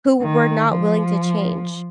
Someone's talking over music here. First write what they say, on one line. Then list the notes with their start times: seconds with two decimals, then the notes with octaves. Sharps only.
who were not willing to change,
0.21 D#3
0.70 F3